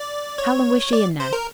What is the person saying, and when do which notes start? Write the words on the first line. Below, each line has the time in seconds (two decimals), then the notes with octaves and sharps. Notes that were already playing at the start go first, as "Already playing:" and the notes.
"How long was she in there?"
Already playing: D5
0.38 C#5
0.93 D5
1.20 C5
1.33 A#4